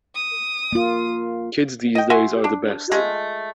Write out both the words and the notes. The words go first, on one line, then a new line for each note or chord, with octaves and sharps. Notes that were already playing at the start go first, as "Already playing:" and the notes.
Kids these days are the best.
D#6
A#3 F4
D#5 G5
F#4 E5 G#5 C6
D4
G#3 A3 F4